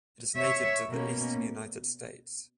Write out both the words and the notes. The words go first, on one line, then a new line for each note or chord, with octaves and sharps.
It is native to the eastern United States.
C#5 E5
B2 A#3 C#4